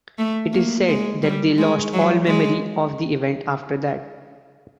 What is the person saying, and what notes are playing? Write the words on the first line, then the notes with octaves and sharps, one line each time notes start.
It is said that they lost all memory of the event after that.
A3
A#3
G#3
G3
G#3
F#3
G#3